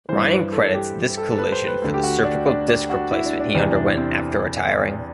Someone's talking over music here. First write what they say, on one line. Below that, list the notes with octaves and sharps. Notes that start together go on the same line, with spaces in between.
Ryan credits this collision for the cervical disc replacement he underwent after retiring.
G2 E3 C5
C5
B4
A4
G4
A4
A4
B4
C5
B4
D2 D3
G4
F#4
D4
D4
D4
F#4
E4
D4
D4
E2 C3 E3 D4
D4
C4